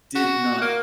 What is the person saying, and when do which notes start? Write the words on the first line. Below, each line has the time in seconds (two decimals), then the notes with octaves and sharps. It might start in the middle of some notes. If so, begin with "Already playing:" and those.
did not
0.15 F#4
0.61 A#3